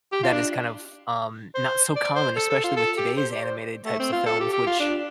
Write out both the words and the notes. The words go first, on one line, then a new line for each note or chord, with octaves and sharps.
that is kind of, um, not so common, especially with today's animated types of films, which
G4
F4
D4
C5
D5
C5
A4
A4
F4
A4
G4
C5
D5
C5
A3
C4
F4
A4
G4
G4
F4
D4